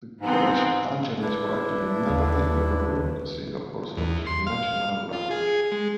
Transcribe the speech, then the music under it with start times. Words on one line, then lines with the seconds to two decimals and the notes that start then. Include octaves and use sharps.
The College Anthem is written in Malay, the Republic of Singapore's official national language.
0.21 G#2 E3 B3 C4
1.22 D4 E4 B4
2.10 D#2
3.97 E2
4.26 C6
4.47 F5
5.13 F4
5.31 G#4
5.72 G#3